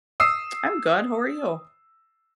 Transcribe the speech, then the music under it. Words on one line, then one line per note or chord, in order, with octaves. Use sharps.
I'm good, how are you?
D#6 E6 C7